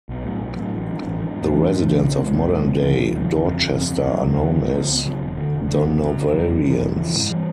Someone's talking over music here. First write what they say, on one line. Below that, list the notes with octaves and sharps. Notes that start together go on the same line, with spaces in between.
The residents of modern-day Dorchester are known as "Durnovarians".
B1
A2 F#3
B1
A2 F#3
A1
G2 D#3
A1
G2 D#3
G#2
E3 A3 D4
G#2
E3 A3 D4
B1
B2 G#3
B1
B2 G#3
E1
D2 C#3 F3
E1
D2 C#3 F3
G1
F2 C#3
G1
F2 C#3
D#2
D3
F#3
D#2
D3 F#3
C#2
C#3 F#3 B3
C#2
C#3 F#3 B3
E1
D2 D3
E1
D2 D3
F#1
F#2 C#3 F#3
F#1
F#2 C#3 F#3
F1
F2 C#3 E3
F1
F2 C#3 E3
G#2
E3 G3